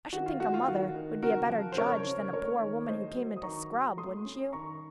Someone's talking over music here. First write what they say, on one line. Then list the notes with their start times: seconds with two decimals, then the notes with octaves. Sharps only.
I should think a mother would be a better judge than a poor woman who came in to scrub, wouldn't you?
0.13 D#3 F#4
0.26 F4
0.40 A3 F#4
0.54 F4
0.68 D#3 F#4
0.94 D#3
1.22 C#3 F#4 A#4
1.50 F3
1.72 C5
1.77 C#3 A#4 C#5
2.05 C#3
2.32 A3 A#4 C#5
2.61 D#3
2.88 A3 C5 D#5
3.15 F#3
3.36 D#6
3.43 D#3 A#5 C#6
3.70 F#3
3.97 A3 C6 D#6
4.25 C#4
4.53 D#3 A#5 C#6